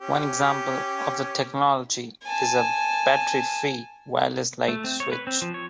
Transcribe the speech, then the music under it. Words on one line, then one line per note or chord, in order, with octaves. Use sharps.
One example of the technology is a battery-free wireless light switch.
C#4 G4
G#5 A5
A3
C4
C#5
B4
C4
F3
C#5